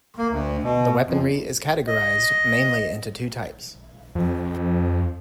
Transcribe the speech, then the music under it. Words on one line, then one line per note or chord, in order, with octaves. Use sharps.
The weaponry is categorized mainly into two types.
A#3
D2
B2
F2
D#5
F2